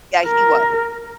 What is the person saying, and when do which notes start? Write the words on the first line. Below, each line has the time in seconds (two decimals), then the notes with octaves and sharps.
Yeah, he wa
0.26 A#4